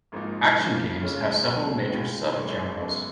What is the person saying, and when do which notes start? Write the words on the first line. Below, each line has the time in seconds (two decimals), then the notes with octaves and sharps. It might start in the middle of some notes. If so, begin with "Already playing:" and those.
Action games have several major subgenres.
0.12 G#1 G#2 F3 A#3 D#4
0.57 C#3 F3 A#3
1.01 F2 C#3 G#3 C#4
1.46 C#2 B2 F#3
1.90 C#2 C#3 G#3
2.36 G#1 F#2 D#3 G#3 C#4
2.80 G#1 F#2 C#3 G#3 B3